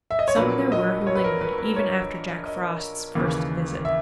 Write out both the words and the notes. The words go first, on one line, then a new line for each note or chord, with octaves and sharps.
But some there were who lingered even after Jack Frost's first visit.
E5
D#5
C#5
A#1 A#2 F#3 B4
D#5
C#5
B4
A#4
B4
B4
C#5
D#5
D#2 C#3 E3 A#3
E5